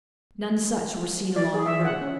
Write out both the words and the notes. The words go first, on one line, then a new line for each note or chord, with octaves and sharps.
None such were seen along the route.
D5
G#4
E5
F#5
C#4